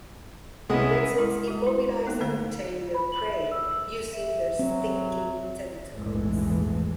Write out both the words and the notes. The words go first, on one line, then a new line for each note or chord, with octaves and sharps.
Nettles immobilize and obtain their prey using their stinging tentacles.
C2 G#3 B3 C#4 E4 D#6
G#3 E4 A4
G#3 F#4
E4
A#3 B3 D#4
D3 A3 A#3 C5 F5
F4
B5
F#7
E5
E6
E5
F#3 C4
A#1 E2 G#2 E3 G#3 A3